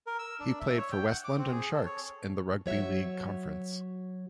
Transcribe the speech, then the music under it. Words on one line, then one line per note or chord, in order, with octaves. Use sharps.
He played for West London Sharks in the Rugby League Conference.
A#4
E6
D4
E5
C#5
G5
F#5
D6
C4
G#4
A4
C#5
F#3 C#5 E5